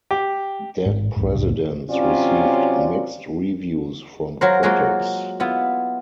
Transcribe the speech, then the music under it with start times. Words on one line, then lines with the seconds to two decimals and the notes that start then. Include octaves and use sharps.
"Dead Presidents" received mixed reviews from critics.
0.11 G4
0.86 A1 G#2
1.16 B1 F2 G#2
1.35 C2 F2 A2 C#3
1.91 C3 F#3 C4 C#4 F4 D5
4.41 F#3 F4 A#4 C5
4.63 F#3 G#3 A#3 F4 F#4
5.40 B3 E4 F4